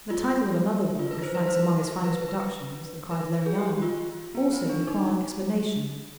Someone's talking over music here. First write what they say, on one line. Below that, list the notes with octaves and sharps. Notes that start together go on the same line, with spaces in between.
The title of another work which ranks among his finest productions, the "Kreisleriana," also requires explanation.
F4
F4
B4
C5
B4
C5
B4
B4
B4
B4
G#4
G4
G4
F4
B3
C4
D4
D#4